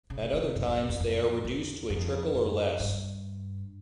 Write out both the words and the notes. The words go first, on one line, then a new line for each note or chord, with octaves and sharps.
At other times they are reduced to a trickle or less.
C#3
C#3
C#3
C3
F#2
E2
F2
F2
F2
F2
E2
F2
F#2
G2